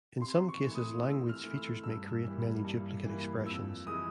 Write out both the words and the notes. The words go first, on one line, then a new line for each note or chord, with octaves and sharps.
In some cases language features may create many duplicate expressions.
C3 C6
C#6
E3 A3
D#6
C3 E6
F6
E3 A3
E6
G2 E6
E3 G3 A#3
G2
E3 G3 A#3
F2 E6
C3 E3 G#3 D#6